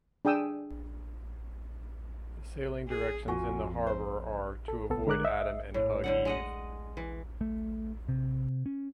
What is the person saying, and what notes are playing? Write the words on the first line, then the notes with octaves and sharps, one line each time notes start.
The sailing directions in the harbour are "to avoid Adam and hug Eve".
D4 G#4 G5 D#6 E6
G#4
F2 F4 F#4 G#5
C5
A4
C2 B3 A4
D3 G#3 A#4 D6 F#6
D#5 E5
A2
A2 D3 F#5
G#3 D#5 F#5
E3
A3
C3
C#4